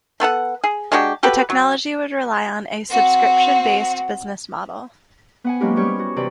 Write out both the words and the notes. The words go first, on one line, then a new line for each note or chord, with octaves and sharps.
The technology would rely on a subscription-based business model.
A3 B3 A4 F#5
G#4
G#3 D4 F#4 G4
F#4 G4 A4 B4
F#3
C4 F#4
B3 F#5 G#5
F#3 G#3 A#3 C#4 E4 G4
G3 B3 C#4 G4 C#5
F#4
C3 E3 D5 B5